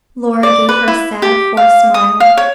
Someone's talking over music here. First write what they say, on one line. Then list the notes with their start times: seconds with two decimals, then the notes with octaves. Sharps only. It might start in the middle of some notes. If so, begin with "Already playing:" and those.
Laura gave her sad, forced smile.
0.43 D5
0.69 B4
0.88 E4
1.22 G4
1.57 F5
1.94 D#6
2.20 F5
2.37 C#5